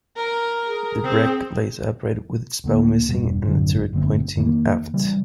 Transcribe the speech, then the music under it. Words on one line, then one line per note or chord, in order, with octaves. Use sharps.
The wreck lies upright with its bow missing and A turret pointing aft.
A#4
G#4
C4
D2 D3 A#3
E1 E2 G2 B2
A1 F#2 D3 C4
F#1 D3 A3 C4
F2 D#3 A#3
C#3 E3 G3